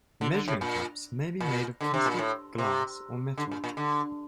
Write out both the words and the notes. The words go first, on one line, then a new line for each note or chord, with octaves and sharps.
Measuring cups may be made of plastic, glass, or metal.
D3
D3
A2
A#2
A#2
D3
C3
A#2
A2
C3
D3
A#2
A#2
D3